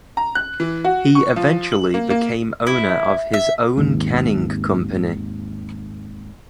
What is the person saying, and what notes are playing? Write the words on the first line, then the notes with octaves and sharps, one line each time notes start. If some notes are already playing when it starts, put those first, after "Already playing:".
He eventually became owner of his own canning company.
A#5
F#6
E3
F#4
C#6
F3
F#7
A#3
A#3
E4
E5
G#1 D#2